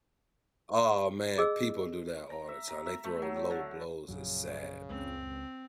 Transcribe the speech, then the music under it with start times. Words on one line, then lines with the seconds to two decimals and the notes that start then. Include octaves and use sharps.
Oh man, people do that all the time. They throw low blows, it's sad, man.
1.38 G#4 D#5 E6
2.30 A#5
2.48 E5
2.68 A#5
2.86 E5
3.04 A3
3.22 F#3
3.36 F#3
3.50 D3
4.08 A#1 F#2 C#3 F#3
4.89 C#2 C4